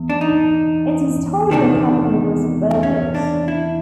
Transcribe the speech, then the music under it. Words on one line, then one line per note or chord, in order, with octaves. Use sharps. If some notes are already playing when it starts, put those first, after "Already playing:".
Its historical capital was Burgos.
Already playing: E2
D4
D#4
E2 C3 D#3 D4
C#4
D4
E4